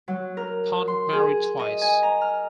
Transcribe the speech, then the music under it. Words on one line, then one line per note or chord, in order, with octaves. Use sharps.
Ponet married twice.
F#3
A#4
C6
G#4
D#5
G#5
A#5
F6